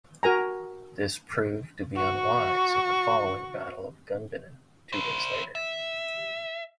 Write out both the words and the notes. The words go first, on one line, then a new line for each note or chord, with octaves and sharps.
This proved to be unwise at the following Battle of Gumbinnen two days later.
F#4 A#4 G#5 A#5
F#4 C#6
E4 C5
E5